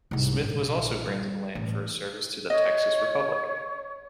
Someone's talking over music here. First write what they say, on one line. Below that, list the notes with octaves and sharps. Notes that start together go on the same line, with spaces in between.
Smith was also granted land for his service to the Texas Republic.
C2 G#2
A#1
G3
A1
C#5 D#5